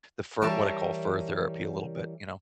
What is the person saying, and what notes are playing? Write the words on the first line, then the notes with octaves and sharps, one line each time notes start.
the fur what I call "fur therapy," a little bit, you know,
E3 G3 A#4 C#5 E5 A5